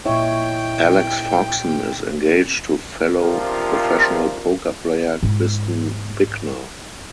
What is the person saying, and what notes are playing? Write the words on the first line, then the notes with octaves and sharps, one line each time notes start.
Alex Foxen is engaged to fellow professional poker player Kristen Bicknell.
A#2 E4 C#5 D#5 G5
C3 F3 D4 F4 A#4
G#2 E4